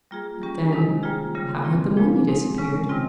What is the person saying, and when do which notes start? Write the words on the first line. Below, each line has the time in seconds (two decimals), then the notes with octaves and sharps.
But then--how had the money disappeared?
0.11 G3 A#3 F4 G#4
0.42 G3 C#4 G4
0.73 C3 D#3 G#3 D#4
1.03 G3 A#3 F4 G#4
1.35 C#3 G3 A#3
1.65 A#2 G3 C4 F4
1.97 A#2 F3 G#3
2.28 A#2 G#3 C4 D#4
2.58 C#3 G#3 C#4
2.89 C3 D#3 G3 C4 F4